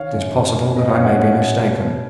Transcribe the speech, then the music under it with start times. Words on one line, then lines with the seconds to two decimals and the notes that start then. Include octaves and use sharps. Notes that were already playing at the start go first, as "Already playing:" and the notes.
It is possible that I may be mistaken.
Already playing: D#3 C#5 F5
0.12 F#2
0.34 F#2
0.55 A#3
0.76 A#3 B4 D#5
0.90 C#5 F5
0.97 F#2
1.04 D#5 F#5
1.18 F#2 C#5 F5
1.40 A#3
1.61 B2
1.82 B2